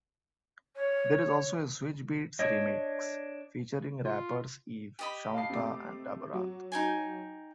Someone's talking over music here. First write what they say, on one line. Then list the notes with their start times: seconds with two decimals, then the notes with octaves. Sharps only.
There is also a Swizz Beats remix featuring rappers Eve, Shaunta and Da Brat.
0.76 C#5
2.39 D4 C#5 D#5
4.05 F4
4.99 G4 D#5 B5
5.34 F5 A5 C7
5.50 C3 A3 D6
6.34 F#3
6.72 D#4 G5 G#5